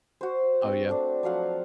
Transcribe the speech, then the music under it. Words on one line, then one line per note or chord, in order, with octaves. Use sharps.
Oh, yeah.
F#4 C5
C4
A3 D4
F3 F#3 F5 F#5